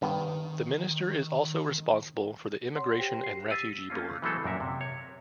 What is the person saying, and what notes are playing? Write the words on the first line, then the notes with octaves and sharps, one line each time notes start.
The Minister is also responsible for the Immigration and Refugee Board.
G2 D#3 B3
C#5 F#5 C6
G4 C5 G5 A#6
C7
E6 A6 B6 C7 D#7
A3 A#3 C#4 F4
E3 F#3 G#3 A3 C4 A4
F#2 A#2 A#4 E5
C3
C#5